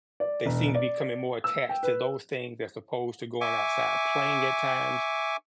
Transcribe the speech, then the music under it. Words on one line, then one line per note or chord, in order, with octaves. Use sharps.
they seem to becoming more attached to those things as opposed to going outside playing at times,
D5
E1
D5
E6
G5
B4
E5 G#5 C#6 D6